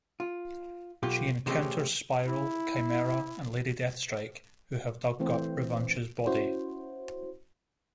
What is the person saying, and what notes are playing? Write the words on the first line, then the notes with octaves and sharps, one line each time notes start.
She encounters Spiral, Chimera and Lady Deathstrike who have dug up Revanche's body.
F4
B1 B2 F4 G4
C3 E3 G#3 A3 C#4 G4
E4
E3 A3 C4 C5
C#4 E4 F#4 C5